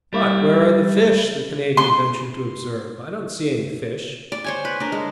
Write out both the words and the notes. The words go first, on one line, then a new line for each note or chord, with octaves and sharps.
"But where are the fish?" the Canadian ventured to observe. "I don't see any fish!"
G3 E4
C6
D5
C5 C#5 G#5
B4
D4 A#4
G#3